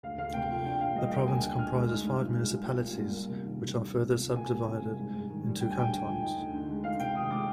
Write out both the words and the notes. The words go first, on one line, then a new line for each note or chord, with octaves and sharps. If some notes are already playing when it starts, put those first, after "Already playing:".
The province comprises five municipalities which are further subdivided into cantons.
D2 F5
D2 F5
C3 G5
F3
D4 G5
A#2 F5
G3 D#5
A#3 G5
D2 G#5
D2
D3 F6
G#3
D#4 F6
G2
F3
G#3
C2
C2
A#2
G3
A#3
C3
D#3
G3
D2
D2
C3
F3
A#3 G#5
C2
C3
G3
G#2
G#2
D#3
G3
D2 G5
G#5
D2 G5
D3
F3
D#4
D2
D3
G#3
D#4 F5
C3 G5
D#3 D#6
G#3 D6